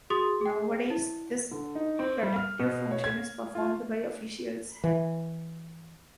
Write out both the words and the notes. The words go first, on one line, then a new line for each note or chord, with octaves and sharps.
Nowadays, this "protective" function is performed by officials.
F#4 G#4 C6 D#6 A6
G#4 G5
E4
D3
D#4
C4
G3
F6
B2
C#5
G#6
F4
E3